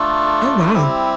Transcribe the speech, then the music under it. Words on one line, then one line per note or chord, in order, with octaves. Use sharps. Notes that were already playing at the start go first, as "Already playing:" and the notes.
Oh, wow.
Already playing: A3 D4 F4 A4
G3 C4 E4 G4